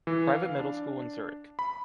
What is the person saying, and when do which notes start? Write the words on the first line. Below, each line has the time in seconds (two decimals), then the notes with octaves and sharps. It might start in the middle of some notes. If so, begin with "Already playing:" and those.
Private middle school in Zurich.
0.07 E3
0.30 F5
0.59 D4
1.59 B5